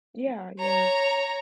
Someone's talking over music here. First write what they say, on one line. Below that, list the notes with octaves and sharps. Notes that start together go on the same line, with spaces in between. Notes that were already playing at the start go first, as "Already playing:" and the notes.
Yeah, yeah,
C#5 A#5